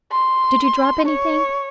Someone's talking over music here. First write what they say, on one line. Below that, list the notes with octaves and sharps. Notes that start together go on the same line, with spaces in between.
Did you drop anything?
C6
C#5